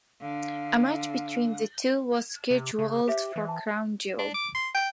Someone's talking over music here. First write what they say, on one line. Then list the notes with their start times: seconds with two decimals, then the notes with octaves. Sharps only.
A match between the two was scheduled for Crown Jewel.
0.21 D3 F5
2.50 C3
2.79 C#3
3.08 G4 C5 E5
3.36 E3
3.48 A5
4.19 D4
4.34 D6
4.55 C6
4.74 G5